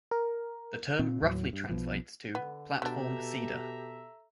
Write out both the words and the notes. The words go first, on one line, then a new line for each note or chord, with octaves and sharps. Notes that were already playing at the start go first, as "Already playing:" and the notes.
The term roughly translates to "platform cedar".
A#4
A#2 C4
D#2 A2 F#3
G2
B1 B2 F3
D3 B3
B2 D3 D4 G4 A4 E5 A#5